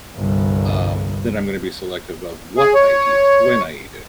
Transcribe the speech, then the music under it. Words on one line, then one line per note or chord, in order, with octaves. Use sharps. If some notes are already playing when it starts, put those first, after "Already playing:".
um, then I'm gonna be selective of what I eat, when I eat it,
G1 C2
G#4
C#5